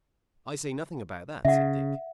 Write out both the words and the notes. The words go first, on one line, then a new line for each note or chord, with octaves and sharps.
"I say nothing about that," said Dick.
C#3 E5 F#5